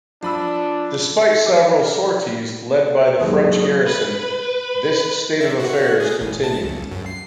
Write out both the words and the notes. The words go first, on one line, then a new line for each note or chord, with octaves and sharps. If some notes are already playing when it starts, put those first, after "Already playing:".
Despite several sorties led by the French garrison, this state of affairs continued.
F3 D4 B5 E6
A#4 D6
D#2 G#2 F#3 F#4 G#4
B4
E5
F#4
G#4
G#1
A5
C#2
F#2
C7